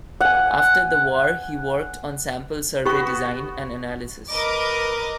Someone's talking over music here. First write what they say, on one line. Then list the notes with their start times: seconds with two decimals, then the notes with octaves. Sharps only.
After the war he worked on sample survey design and analysis.
0.21 F#5 G#5
2.85 B3 F#4 G4 C#6
4.30 A#4 B4 D#5 D6